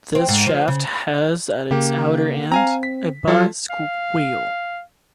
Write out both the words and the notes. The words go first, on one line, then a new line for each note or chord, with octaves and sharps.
This shaft has at its outer end a by scoopwheel.
C4
G#2
F3
C#3
C#3 A#3 G4
C4 F5 G#5 A#5
B6
F3 F#3 F4 A4
F5